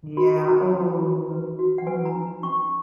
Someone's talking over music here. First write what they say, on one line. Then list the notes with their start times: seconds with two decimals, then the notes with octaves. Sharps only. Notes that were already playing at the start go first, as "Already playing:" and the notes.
Yeah, ooh. Mhm.
0.17 F#4 B5
0.45 F#4
0.73 C#4
1.02 F#4
1.30 B4
1.59 F#4
1.78 F#5
1.87 B4 G#5
2.05 A#5
2.16 D#4
2.43 C#4 C#6